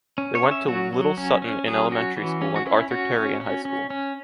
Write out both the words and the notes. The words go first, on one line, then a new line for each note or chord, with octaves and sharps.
They went to Little Sutton in elementary school and Arthur Terry in high school.
C#4
C#5
C#4
E5
F#3 F#4
F#3
C#4
C#4
F#3 G#4
C#4 F#4
E3
C#4
F#4
C#4 E4
C#4 F#4
C#4
C#4
C#4
C#4